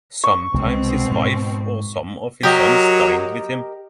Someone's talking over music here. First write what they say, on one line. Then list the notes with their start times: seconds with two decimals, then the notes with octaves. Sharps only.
Sometimes his wife or some of his sons dined with him.
0.24 C#6
0.54 C2 B2 G3 G#3 C4
1.11 G#2
2.43 F#3 G4 A#4 D#5